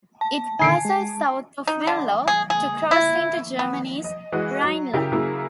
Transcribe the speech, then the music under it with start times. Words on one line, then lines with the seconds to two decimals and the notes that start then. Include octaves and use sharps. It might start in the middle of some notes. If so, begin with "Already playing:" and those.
It passes south of Venlo to cross into Germany's Rhineland.
0.21 A5
0.59 A#2 D3 D#3 G#5 C7 D7
0.85 G#3
1.67 D#4
1.87 D3
2.28 G#4
2.50 G#4
2.91 E4
3.59 B3
4.04 D#5
4.32 E3 G#3 F#4 D#5
4.64 F#3
4.93 C#3 F#3 E4 G4 A#4
5.12 C#3 F#3 A#3 E4 G#4